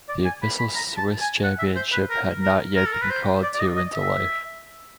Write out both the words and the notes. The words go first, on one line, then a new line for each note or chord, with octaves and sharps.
The official Swiss championship had not yet been called to into life.
D5
G#5
B5
B5
A#5
A5
G#5
F#5
E5
C5
B4
A#4
A#4
A#4
A4
A#4
B4
C5
D5
D5
D#5
D#5
E5